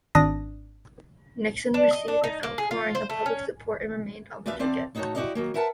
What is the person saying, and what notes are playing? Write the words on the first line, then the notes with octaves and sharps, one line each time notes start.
Nixon received an outpouring of public support and remained on the ticket.
G#1 D4 D#6 A#6
D4
D#5
D4
D#4
A#3
G#4
F4
C5
A3
C#4
E2 D4 G4 B4 E5 F5
E2 C4 A4 D5 F5
A2 D#4 F#4 G#4 A4 C#5
E4 F#4 G4 D5 D#5 F5
D#3 F#3 A#3
A#4 B4 E5 F#5 G#5 A5